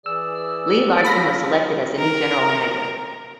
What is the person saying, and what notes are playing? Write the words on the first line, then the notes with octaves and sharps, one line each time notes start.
Lee Larson was selected as the new General Manager.
E3 G#4 D5 E6
C#4 F4 F5 B5 A#6
A#4